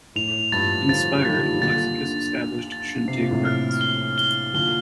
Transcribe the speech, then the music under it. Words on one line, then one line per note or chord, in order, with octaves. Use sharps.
Inspired, Alexakis established Shindig Records.
A2 F7
G2 A#2 A6
D3 F3 A6
G3
F3
D#3 G3 A6
A#2 D3
A#2 D3 A6
F7
A6
A6
C3 C7
A#2
A2 C3
F6
G7
G7
A#2 D3 G7